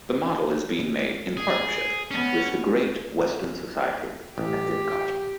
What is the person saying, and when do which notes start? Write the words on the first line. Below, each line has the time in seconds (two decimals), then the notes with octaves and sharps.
The model is being made in partnership with the Great Western Society at Didcot.
1.37 G#4
2.11 B3 C#4
4.38 A1 G4